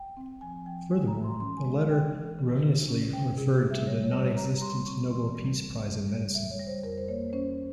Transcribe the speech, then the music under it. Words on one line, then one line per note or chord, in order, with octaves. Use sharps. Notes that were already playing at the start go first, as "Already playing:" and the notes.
Furthermore, the letter erroneously referred to the nonexistent Nobel Peace Prize In Medicine.
Already playing: G5
C4
F3 G#5
F3 G5
G#3 G#5
A#5
E3
C6
C#4 C6
G#5
G#3
F5
C#3 G5
E3
C#3
C#3
C#4
C3 G5
C3 G#4
G#4
G3
E5
G3 C#5
C#5
G3
C#5
C4 A#5
G3 C6
C4 C#6
E3 C6
G3
G3
C#3
G3
G3 E5
C#5
G3
C5
F2 A#4
C5
A#3 C#5
C#4 C5